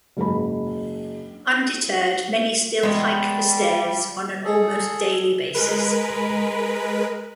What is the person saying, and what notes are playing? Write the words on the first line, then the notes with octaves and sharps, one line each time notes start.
Undetered, many still hike the stairs on an almost daily basis.
F#1 G#2 G#4 B4 B5
G3 G#3 B3
G#4 A4
G#3 A#4 B4